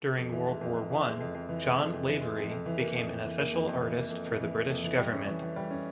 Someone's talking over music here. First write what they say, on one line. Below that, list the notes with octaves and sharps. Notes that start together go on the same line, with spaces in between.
During World War One, John Lavery became an official artist for the British government.
F2
E3
G#3
F2
F2
E3
G#3
F2
F2
E3
G#3
F2
F2
E3
G#3
F2
F2
E3
A#3
F2
F2
E3
A#3
F2
F2
E3
A#3
F2
F2
E3
A#3
F2
E3
G3
C#4
E3
E3
G3
C#4